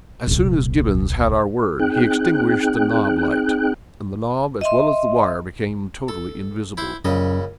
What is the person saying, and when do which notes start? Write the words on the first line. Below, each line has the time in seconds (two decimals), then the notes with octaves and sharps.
As soon as Gibbons had our word, he extinguished the knob light, and the knob, as well as the wire, became totally invisible.
0.27 D#1 C2
1.79 C4 D#4 G#4 G5 F#6
4.61 D#5 E5 C6
6.08 A4
6.77 E4 C5
7.05 A#1 F#2 C#3 D#5